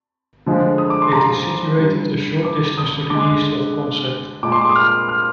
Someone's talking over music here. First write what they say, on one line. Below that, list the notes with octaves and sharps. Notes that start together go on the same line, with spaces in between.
It is situated a short distance to the east of Consett.
D3 F3 G#3
D#6
D6
C6
A#5
D3 G3
D6
D#6
D3 G#3 D6
A#2 G#3 D6
C6
D6
D#6
F6
F6